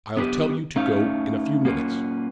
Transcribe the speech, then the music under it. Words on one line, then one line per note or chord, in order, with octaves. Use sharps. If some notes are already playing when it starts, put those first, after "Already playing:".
"I'll tell you to go in a few minutes."
B3 D4 G4 B4
A3 C#4 D#4 F5
A#3 C#4 F4 B4